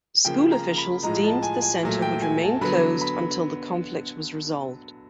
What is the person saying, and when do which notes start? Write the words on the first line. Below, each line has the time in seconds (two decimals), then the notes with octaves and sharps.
School officials deemed the center would remain closed until the conflict was resolved.
0.25 C#3 F3 A#3 G5
0.52 A#5
0.78 B5
1.03 A2 F3 G#3 A#5
1.24 A5
1.43 G#5
1.63 G#5
1.83 A#2 F#3 A3
2.02 G5
2.22 G#5
2.42 A5
2.61 D3 F#3 B3 B5
3.01 B5